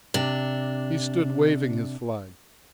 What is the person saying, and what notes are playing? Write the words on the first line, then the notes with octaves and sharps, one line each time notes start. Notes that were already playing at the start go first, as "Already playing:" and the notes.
He stood waving his flag.
C3 D4